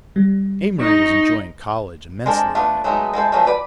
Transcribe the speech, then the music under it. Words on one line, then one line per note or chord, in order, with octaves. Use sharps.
Amory was enjoying college immensely again.
G3
D#4 C#6
G#3 C4 D4 A4 A#4
A3 B3 D4 F4
F#3 G#3 A3 B3 D#4
G#3 E4 A4 C5
F3 F#3 A3 B3 C#4
B4 D5 B5